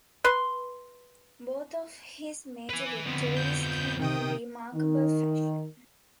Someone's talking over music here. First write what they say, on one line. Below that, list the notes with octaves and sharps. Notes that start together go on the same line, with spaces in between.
Both of his major victories came in remarkable fashion.
B4 C6
B4 G#5
F2 D3 B3
G6
C3 D#3 G5 D#6
D#3